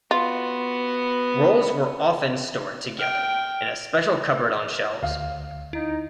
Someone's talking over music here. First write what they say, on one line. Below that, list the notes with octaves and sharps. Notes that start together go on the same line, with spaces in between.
Rolls were often stored together in a special cupboard on shelves.
B3 F4 F#4
G5 F6 D7
D2 F5
D#4 E4